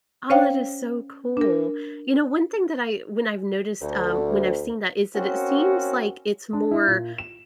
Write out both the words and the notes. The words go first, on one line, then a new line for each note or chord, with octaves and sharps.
Oh, that is so cool. You know, one thing that I when I've noticed, um, when I've seen that is that it seems like it's more
C#4 C5 C#5 F5 G5
D4 A#4
D2
A#3 C4 C#4 F#4
D4
E4
A#2
E7